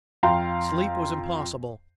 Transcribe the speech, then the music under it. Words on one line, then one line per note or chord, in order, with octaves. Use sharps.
Sleep was impossible.
F2 F5 G5 A#5 C6